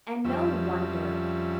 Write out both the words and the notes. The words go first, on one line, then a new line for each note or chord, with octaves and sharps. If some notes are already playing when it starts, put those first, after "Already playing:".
And no wonder!
F2 C#3 G3 E5
D5
E5